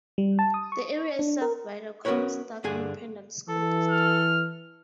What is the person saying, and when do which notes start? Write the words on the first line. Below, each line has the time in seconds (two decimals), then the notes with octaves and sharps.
The area is served by the Comstock Independent School District.
0.18 G3
0.39 A5
0.54 D#6
0.72 C#6
1.19 D4
1.42 A#4
2.05 B3 C#4 F#4 A#4 B4 C#5
2.64 G2 D3 G#4 G#5
3.49 E3 A4
3.91 F6